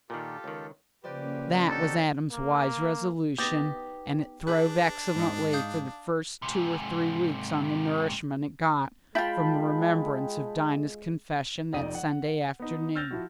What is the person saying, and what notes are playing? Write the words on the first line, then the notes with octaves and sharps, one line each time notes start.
That was Adam's wise resolution, and it throve excellently for the first two or three weeks on the nourishment it got from the remembrance of Dinah's confession that Sunday afternoon.
A#2 D#3 F4 G4 A4
C#2 D#3
C#3 F3 A#3 C#4 G4 B4 C5 D5
C4 D4 D#4 F#4 G4 A4 A#4
A#3
B3 D#4 G4 B4 D#6 A6 A#6
D4 G#4 B4 F#6 G6
G#2 D#4
F5 D#6 G6
G#2 C3
G#3 E4 F4 G5 A5 B5
F1 F2 D#4 D5 D#6 D#7
F#5
B3 D#4
E6 F6 G6 A6 A#6 F7
F3 E4 F#4